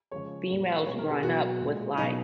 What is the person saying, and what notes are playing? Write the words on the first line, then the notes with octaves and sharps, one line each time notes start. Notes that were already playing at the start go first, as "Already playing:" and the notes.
females growing up with, like,
C#3 F3 G#3 C#5
A#2 G#3
B4
B2 G#3 C#5
A#4
G#4
B2 F#3 F#4
A#2
G#3
B2 F#3 D#4